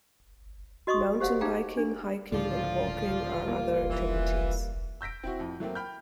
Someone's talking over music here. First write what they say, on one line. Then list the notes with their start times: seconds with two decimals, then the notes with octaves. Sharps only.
Mountain biking, hiking, and walking are other activities.
0.87 F#4 D#5 C6 C#6 D#6
1.20 G4 C5 F5 F#5
1.41 D#4 G#4 F5 G5 A#5
1.77 D4
2.32 C#2 A2 D3 F3 F4 D5 F5
3.45 G3 A#3
3.90 E3
5.01 E6 G6 A#6 B6 D7
5.24 C4 E4 F#4
5.39 F2 A2
5.60 F#3 A3 A#3 C4
5.75 G5 B5 F6 G6